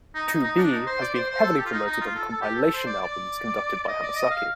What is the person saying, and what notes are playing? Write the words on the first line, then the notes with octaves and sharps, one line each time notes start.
"To Be" has been heavily promoted on compilation albums conducted by Hamasaki.
D#4
D#4
D#4
D4
D#4
C5
D5
C5
C5
A4
G4
F4
D#4
D#4
F4
A4
A4
G4
A4
C5
D5
D5
D5
D#5
D5
D#5
F5